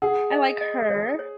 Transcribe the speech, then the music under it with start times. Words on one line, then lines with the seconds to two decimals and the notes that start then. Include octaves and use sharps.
I like her.
0.02 G#4 F#5
0.31 D#5
0.61 D#5
0.90 C#5
1.19 C#5